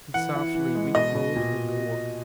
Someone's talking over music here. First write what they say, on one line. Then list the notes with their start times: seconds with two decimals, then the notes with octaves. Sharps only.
He softly reclosed the door.
0.14 E3 F#5
0.35 E4
0.55 E3
0.75 G#3
0.95 B2 D#5
1.15 B2
1.36 A#2